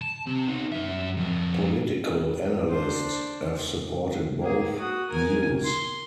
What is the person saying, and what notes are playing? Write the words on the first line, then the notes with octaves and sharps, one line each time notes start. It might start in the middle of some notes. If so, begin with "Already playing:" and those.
Political analysts have supported both views.
A5
C4 G4
B3 D#4
F#2 E5
F2 A#4
D4 C5
A#3 G#4
F#4 D#6
A#4 G#5
C6